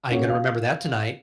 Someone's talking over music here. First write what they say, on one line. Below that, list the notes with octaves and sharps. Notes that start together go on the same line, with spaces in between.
I ain't gonna remember that tonight."
A#3 C#4 F#4 G#4
F5